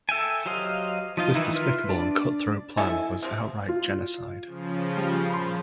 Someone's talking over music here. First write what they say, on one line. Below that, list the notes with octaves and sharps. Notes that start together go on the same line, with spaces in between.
This despicable and cutthroat plan was outright genocide.
A4 E5 G5 G#5
F#3 G4 C5 D#5 F5
F3 D#4 F4
D#3 E3 D#4 E4
F4 B4 E5 C6 F6
D4 D5
E4 A4 E5 G#5
C3 F3
F4
C#3 F3
G3
A#2 F3 B5 C6